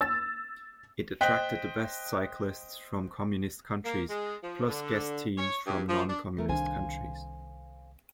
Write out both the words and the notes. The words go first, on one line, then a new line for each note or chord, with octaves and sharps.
It attracted the best cyclists from communist countries, plus guest teams from non-communist countries.
E6 A6
C5 D#5 G5 F#6 B6
A#3
G#3
F3
D3
C#5
G2
F3
D4
C#3 A3 A#4
C2 D#3 D4 C5 F5 G#5